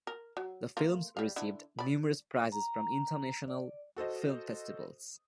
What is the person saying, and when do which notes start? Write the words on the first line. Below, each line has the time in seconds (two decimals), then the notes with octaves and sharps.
The films received numerous prizes from international film festivals.
0.07 A#4
0.37 F#3
0.77 A3 A#3 F4
1.17 G3 F5
1.36 D3 E4
1.79 D5 B5
2.52 A#5
3.48 D5
3.96 F#4 A4 C5 D#5